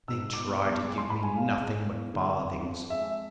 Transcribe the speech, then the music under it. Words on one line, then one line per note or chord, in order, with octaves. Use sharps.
They try to give me nothing but farthings.
G#2 E6
B2 D6
B2 D6
G#3 D6
C6
G#3 B5
G#5
G#3 F5
G#3
E2
D3
F2
F2
G#3 E5